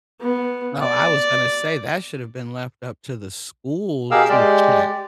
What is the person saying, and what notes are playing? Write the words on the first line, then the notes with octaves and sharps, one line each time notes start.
Oh, I was gonna say, that should've been left up to the school to check.
B3
D5
B2 G4 G#4 A#4 F5 E6
G#3 G4 D5